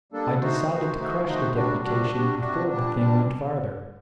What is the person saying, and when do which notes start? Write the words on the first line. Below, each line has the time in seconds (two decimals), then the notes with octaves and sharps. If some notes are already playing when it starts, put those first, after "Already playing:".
I decided to crush the deputation before the thing went farther.
0.12 G3 A#3 D4 A4
0.41 D#3 A3 D#4 F#4 C5
0.70 D#3 A3 D#4 F#4 C5
0.98 D#3 A3 D#4 F#4 C5
1.27 D#3 A3 D#4 F#4 C5
1.55 C3 G3 D4 F#4
1.84 C3 G3 D4 F#4
2.12 C3 G3 D4 F#4
2.41 C3 G3 D4 F#4
2.69 A#2 G3 D4
2.98 A#2 G3 D4